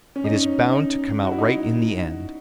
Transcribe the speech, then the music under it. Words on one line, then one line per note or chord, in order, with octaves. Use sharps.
"It is bound to come out right in the end."
C#4
D#4
C#4
D#4
F#4
E4
D#4
E4